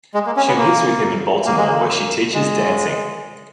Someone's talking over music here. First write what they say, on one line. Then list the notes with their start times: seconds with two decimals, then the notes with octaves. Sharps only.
She lives with him in Baltimore where she teaches dancing.
0.14 G#3
0.26 A#3
0.37 C#4
0.48 B3
0.58 A#3
1.46 A#3
1.57 G#3
1.66 A#3
2.34 G#3